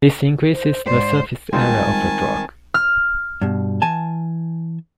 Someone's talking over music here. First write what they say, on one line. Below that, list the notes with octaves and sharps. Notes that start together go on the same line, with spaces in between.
This increases the surface area of the drug.
C5
G#2 C5 D5
D#3 G3 G#3 C4 D#4 F4 G#5 A5
F6
G2 B2
E3 G#5 A5